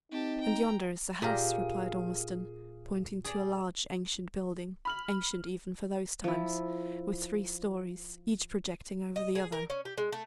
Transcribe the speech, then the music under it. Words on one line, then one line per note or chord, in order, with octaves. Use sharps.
"And yonder is the house," replied Ormiston, pointing to a large ancient building--ancient even for those times--with three stories, each projecting over the other.
C4 D#4 G4 A5
G5 A#5
A#2 G4 G#4 A#4 F5
G#4 D5
B5 F6 F#7
F3 E4
D#5
G#4
A#4
C#4
G4
G#3
A3